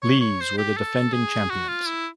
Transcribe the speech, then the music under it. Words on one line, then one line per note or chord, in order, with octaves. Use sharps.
Lees were the defending champions.
C#5
C#5
C5
G4
A4
G#4
F#4
F4
E4